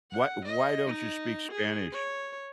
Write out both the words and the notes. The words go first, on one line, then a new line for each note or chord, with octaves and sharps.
Why why don't you speak Spanish?
F#5
D#5
D#4
G#4
C#5